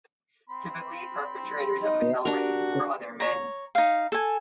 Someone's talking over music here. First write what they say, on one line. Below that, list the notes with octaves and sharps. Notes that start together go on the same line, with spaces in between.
Typically, perpetrators of male rape were other men.
C4 B5 C6
D#4 D#5
D4 F#4 G4 A#4
C#5 A#5
D#4 F5
A4 G#5